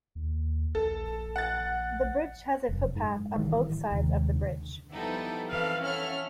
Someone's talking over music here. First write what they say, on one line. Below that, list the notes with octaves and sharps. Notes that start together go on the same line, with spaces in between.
The bridge has a footpath on both sides of the bridge.
D#2
A#1 A4
F#5 A6
F1 F#2
G#2
A1 D#3 E3 G3
D#2 C3 D#3 G#3
D3
F3 G3 B3 D#4 E4 A4
E3 C4 A4 B4 F5
C#4 A4 E5 F#5 F6